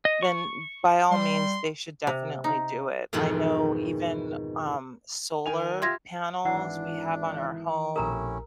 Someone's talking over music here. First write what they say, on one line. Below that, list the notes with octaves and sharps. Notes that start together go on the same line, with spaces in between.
then by all means, they should definitely do it. I know even, um, solar panels we have on our home
D#5
C#6
G3 C6
C3
D#4
F2 G#2 B2 D#3 E3
D#3 G#5 F7
F4 G4 E5 C6 G#6 A#6
G#1 E3 D4 E4 F#5
A#1 B2 A3 C#4 E4 G4 A#4 A#5